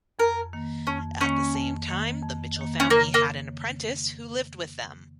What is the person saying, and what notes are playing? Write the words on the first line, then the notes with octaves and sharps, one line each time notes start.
At the same time, the Mitchell family had an apprentice who lived with them.
F2 A#4
D#3 A#3
F2 C#4
D#3 A#3 C#4
F2
D#3 A#3
F2
D#3 A#3
C#4
C#3 A#3
A#3